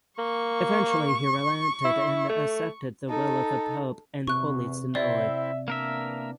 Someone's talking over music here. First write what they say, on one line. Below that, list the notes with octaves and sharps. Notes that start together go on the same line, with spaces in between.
Eventually he relented and accepted the will of the Pope and Holy Synod.
A#3 C#6
E4
A3
D#4 A4
E2 C3 C#6 F#6
C4 E4 D5 E5
E3 A#3 B3 D4 A#4 E5